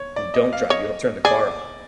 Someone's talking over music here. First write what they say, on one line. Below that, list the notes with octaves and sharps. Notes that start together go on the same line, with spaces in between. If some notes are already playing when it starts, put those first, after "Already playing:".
and you don't drive, you don't turn the car on.
Already playing: C#5
D5
D#5
F5
C#5 D#5
G#4 D5